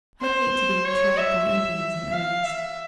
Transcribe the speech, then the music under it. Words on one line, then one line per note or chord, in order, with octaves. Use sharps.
I'd hate to be trailed by Indians in earnest.
C5
C#5
E5
E5
F5
E5